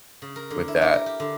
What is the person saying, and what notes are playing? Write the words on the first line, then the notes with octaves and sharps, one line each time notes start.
with that.
C#3
A#4
D3
E4
G4
A#4
G4
D3